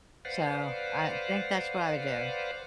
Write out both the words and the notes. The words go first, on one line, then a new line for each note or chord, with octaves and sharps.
So I think that's what I would do,
B4 C5 D5 F5 F#5